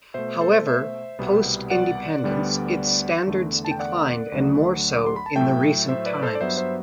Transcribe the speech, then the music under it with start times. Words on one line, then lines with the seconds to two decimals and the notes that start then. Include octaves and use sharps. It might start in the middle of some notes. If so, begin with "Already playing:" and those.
However, post independence its standards declined and more so in the recent times.
0.14 B2 A3 C5 E5
0.41 A4 C5
0.67 C5 E5
1.19 C2 B2 G3 B3
1.71 D5 F#5
2.23 D2 D3 G3 B3
3.27 E2 D3 A3
3.65 A5
3.71 G5
3.79 D5 F#5
4.32 D2 D3 F#3 A3
4.97 D6
5.06 C6
5.16 B5
5.26 A5
5.36 A2 F#3 A3 E5 G5
5.88 C5 E5
6.06 B4 D5
6.23 A4 C5
6.35 D5
6.40 G2 F#3 B3 C5 E5
6.57 C5 E5